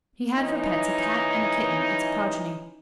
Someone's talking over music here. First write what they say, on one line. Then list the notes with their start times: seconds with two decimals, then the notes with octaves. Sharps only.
He had for pets a Cat and a kitten, its progeny.
0.36 E3 C#4 D#4